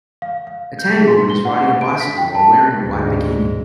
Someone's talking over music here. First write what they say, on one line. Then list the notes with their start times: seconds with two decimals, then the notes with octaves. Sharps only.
A tanned woman is riding a bicycle while wearing a white bikini.
0.22 F5
0.47 F5
0.79 G6
0.95 G#4
1.08 C6
1.30 G7
1.45 F#5
1.66 C#6
1.81 D7
2.00 B6
2.18 G5
2.35 A5
2.84 D2 G#2